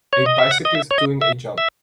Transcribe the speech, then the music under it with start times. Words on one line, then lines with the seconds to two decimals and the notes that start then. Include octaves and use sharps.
A bicyclist doing a jump.
0.13 C#5
0.26 D#5
0.38 E5
0.51 F#5
0.65 D#5
0.75 E5
0.91 C#5
0.98 D#5
1.22 E5
1.58 E5